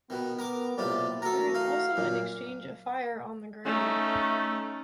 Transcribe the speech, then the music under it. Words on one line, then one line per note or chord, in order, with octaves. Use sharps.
There is also an exchange of fire on the ground.
B2 D#3 B3
A#4 D6
B1 A2 C3 A#3 F4 D5
E3 A3 F#4 A4 A#4 A#5
D#4 F5
F#2 A#2 A#3
A3 C#4 D#4